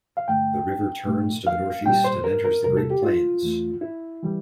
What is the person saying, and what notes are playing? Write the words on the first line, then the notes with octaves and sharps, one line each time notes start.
The river turns to the northeast and enters the Great Plains.
F5
G2 D3 A3 G5
A#2 A3
F5
A#2 G3 G5
C5
A#4
A#4
E2 C3 G3 A#4
A4
G4
F4
E2 E3 A3
E4
E3 G3